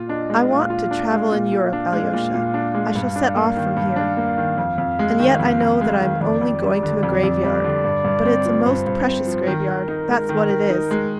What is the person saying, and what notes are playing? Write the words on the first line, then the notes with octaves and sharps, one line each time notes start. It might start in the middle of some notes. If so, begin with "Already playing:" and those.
I want to travel in Europe, Alyosha, I shall set off from here. And yet I know that I am only going to a graveyard, but it's a most precious graveyard, that's what it is!
Already playing: A#2 F4
D4 D#5
G#3
A#2 F5
F4
D4
G#3
A#2
A#2
D4
G#3
A#2
A#2
D4
G#3
G2 F5
D4
A#3
D#3
G2
D4
A#3
D#3
F2
F2
G#3
D#3
F2
F2
G#3
D#3
F2 D5
F2
G3
D3
F2
F2
G3
D3
G2
G2
C4
F3
G2 C5
G2
C4
F3
D#3 A#4
D#3
D#4
G#3
D#3
D#3
D#4
G#3